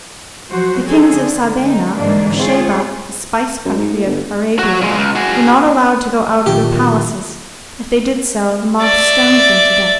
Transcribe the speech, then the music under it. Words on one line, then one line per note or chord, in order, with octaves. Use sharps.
The kings of Sabaea or Sheba, the spice country of Arabia, were not allowed to go out of their palaces; if they did so, the mob stoned them to death.
F3 F#3 F#4 C5
C4 C#4 G#4 A4
D3
D#4
G#2 D3 E3 G3 A#3 D4
C4 F4 G#4 C#5
F#2
G#2
A2
G1
F#4 C#5
A#2 G#3
C#2
F#4 G#4
A#2 D3 D#3 F#3 G4
D5 E5